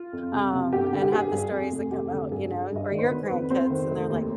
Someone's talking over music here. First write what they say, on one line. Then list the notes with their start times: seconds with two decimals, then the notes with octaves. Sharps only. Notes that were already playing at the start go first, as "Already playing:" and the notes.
Um, and have the stories that come out, you know, or your grandkids and they're like,
Already playing: F4
0.13 F2
0.32 C3
0.53 C3
0.73 G1 G4
0.93 D3
1.02 G4
1.12 G1 G#4
1.32 G2
1.51 F2
1.72 F1
1.91 F1 G4
2.11 D3
2.31 G2 G#4
2.51 G2
2.71 G2 D#5
2.88 D#3 D5
2.98 C5
3.10 D#3 B3 B4
3.30 F2 B3 B4
3.50 F2 C4 C5
3.70 D#3
3.90 F1
4.10 D#2